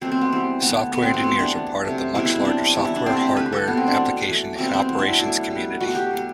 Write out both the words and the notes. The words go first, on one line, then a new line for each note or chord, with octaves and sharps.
Software engineers are part of the much larger software, hardware, application, and operations community.
B2 F#3 A3 C4
C4
B3
E3 G3 B3 C4
D3 A3 B3
B2 A3 B3
C4
C4
C3 E3 A3 B3
D4
E3 B3
C3 F#3 A3
B2 G3 B3 E4
E4
C4
C3 F#3 B3 D4
E3 G3 B3 E4
E4
D4
C3 E3 A3 C4
C4
G4
D3 A3 B4
A4
B2 A3 B3
C4
D4
E3 B3
E3 A3
B2 G3 B3 C4
C4
E3 B3
D4
E4
B2 F#3 A3 E4
B2 G3 B3
B2 A3 F#4
G4
B2 F#3 B3